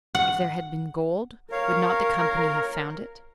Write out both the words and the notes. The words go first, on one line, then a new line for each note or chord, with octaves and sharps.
If there had been gold, would not the company have found it?
F#5
A#4 C#5 F5